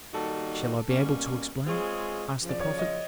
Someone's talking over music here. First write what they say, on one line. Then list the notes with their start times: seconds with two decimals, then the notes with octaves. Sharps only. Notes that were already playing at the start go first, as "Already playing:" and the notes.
"Shall I be able to explain?" asked the prophet.
0.14 D#3 G3 A#3 D#4 F#4 A4
0.89 B2 G3 A#3 C#4
1.65 G#3 C4 F4 G#4 C#5
2.40 F#2 C#3 F3
2.49 D5
2.60 C#5
2.79 D#5